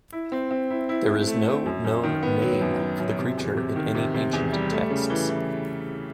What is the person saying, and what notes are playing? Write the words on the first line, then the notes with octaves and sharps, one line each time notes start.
There is no known name for the creature in any ancient texts.
E4
C4
C4
E4
E4
A3
A3
C4
F#2
F#2
D#3
B3
F#3
F#2
F#3
F#2
C3
E2
C3
D#3
C3
C3
E2
G3
A3
C#3
E3
E3